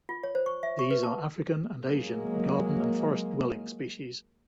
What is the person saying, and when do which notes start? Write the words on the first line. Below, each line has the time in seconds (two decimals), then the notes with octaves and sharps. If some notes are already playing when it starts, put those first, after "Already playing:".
These are African and Asian garden and forest dwelling species.
0.09 F4
0.23 C#5
0.35 C5
0.46 C#6
0.63 E5
0.79 C#6
0.91 B4
1.03 A5
1.83 F#3 G#3 A#3